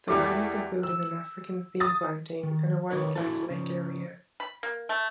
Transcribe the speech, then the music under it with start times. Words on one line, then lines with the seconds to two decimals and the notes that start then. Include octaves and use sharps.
The gardens included an African theme planting and a wildlife lake area.
0.08 E2 G3 A3 D6
0.83 E6
1.80 D#6 A6
2.43 D#3
2.90 D#3 G3 D#4 A#4 B4 C#5
3.15 E4 F#4 A4 G#5 A5
3.50 C#3 F3
4.40 B5
4.63 A#3
4.89 A3